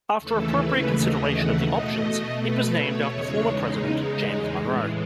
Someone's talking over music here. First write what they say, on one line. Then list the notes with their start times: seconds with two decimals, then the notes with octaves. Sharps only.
After appropriate consideration of the options, it was named after former President James Monroe.
0.19 D#2 C#3 E3 A3 A4
0.55 B4
0.92 D#5
1.28 F#5
1.64 B2 A3 D#5
2.38 B4
2.74 C#5
3.09 E2 C#3 G#3 C#5
3.47 D#4
4.55 A2 E3 G#3